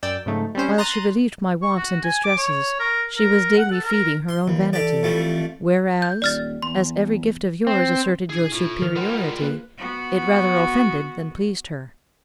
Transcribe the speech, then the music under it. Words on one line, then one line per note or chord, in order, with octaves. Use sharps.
While she relieved my wants and distresses she was daily feeding her own vanity; whereas, as every gift of yours asserted your superiority, it rather offended than pleased her.
F#2 D5 G5 E6
G#2 C#3 F#3 A3 D#4
G3 C4 C#4 C5
A#5 C6 F#6 A6 C7 D#7
C#6
F#4
G#5
D6
C#5
A#4
A#4
F#5
A4
A#4
C6
D#2 E3
G4 A4 D5
F2 G3 A3
G6
D#1 D5 F6 A6
E2 C6
C4
B2 D4 E4 G#4 G#5
A2 E4 F4
D#3 F6
G3 G#3 A#4 C5 F#5
F4 A#4 F#5
A#3 G#4 B4
B3 F#4